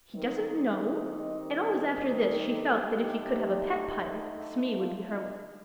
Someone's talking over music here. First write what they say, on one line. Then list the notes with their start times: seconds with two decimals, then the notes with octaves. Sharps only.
"He doesn't know!" and always after this she felt that if you could have a pet pirate Smee would be her one.
0.15 D#3 G3 C4 D#4 A#4
1.13 D#5
1.46 D5
2.12 A#4
2.44 A4
2.77 D3 A3 D#4 G4
4.74 F4
5.06 D#4